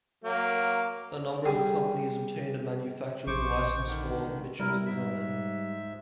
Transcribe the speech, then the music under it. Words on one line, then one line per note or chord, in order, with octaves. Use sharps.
A number of companies obtained a manufacturing licence for Michell's design.
F#3 A#3
G3 G#4
A#1 C5 C#6 D6
D3 D#3
G3 E4 A#4
G#2 E5